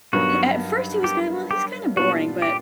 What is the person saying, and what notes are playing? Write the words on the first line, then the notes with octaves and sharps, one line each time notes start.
He at first, he was kinda, "Well, he's kinda boring," but,
G2 D#3 F#3 B3 F#4
G4
G4
A#2 G3 B3 D4 F4 F#4
G4